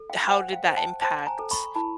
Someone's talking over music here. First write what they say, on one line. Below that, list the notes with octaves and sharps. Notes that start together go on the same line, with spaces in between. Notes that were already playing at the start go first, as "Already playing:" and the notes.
how did that impact
Already playing: A4
F5 G5
C5 F#5 G#5
F5 G5
C5
G5 A5
C5 G5 A5
G#5 A#5
A4
B5 C#6
E4 A5 B5